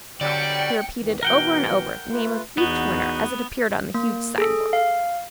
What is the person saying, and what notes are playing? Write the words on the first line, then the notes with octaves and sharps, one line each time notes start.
He repeated over and over, the name of each winner as it appeared on the huge signboard.
B2 D3 F#3 G3 D5 G5 C#7
E2 D#3 E3
B2 E3 A#4 F#5 G5
A3 F4 B4
E2 B3 D#4 F#4
A#3
G#4 A4
F5